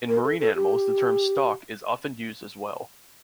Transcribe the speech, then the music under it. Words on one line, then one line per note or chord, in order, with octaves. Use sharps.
In marine animals the term "stock" is often used as well.
A#4
A4
A4
G4